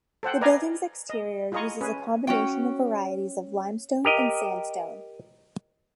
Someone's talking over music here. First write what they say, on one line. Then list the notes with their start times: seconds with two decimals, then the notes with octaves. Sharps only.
The building's exterior uses a combination of varieties of limestone and sandstone.
0.23 A4 C5 F#5 G5
0.41 B4 D5 D#5 F5 G#5 A#5
1.10 D#5
1.52 E4 F4 G#4 D#5 A#5 C#6
1.81 C#4 G#4 B4
2.27 C#4 F#4 G5
4.05 G4 A#4 D#5